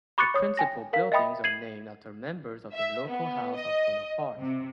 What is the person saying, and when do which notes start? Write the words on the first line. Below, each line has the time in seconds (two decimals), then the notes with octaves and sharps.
The principal buildings are named after members of the local House of Bonaparte.
0.18 B5 C#6 D6 F#6 A6 C#7
0.34 C#5 D#6
0.57 G5 G#5 A#6
0.93 A#4 F5 B6
1.12 D#5 E5 G5 B5 D#6
1.44 G#6 C7 D#7 F#7
2.73 E5
3.08 B3
3.56 D#5
4.40 C3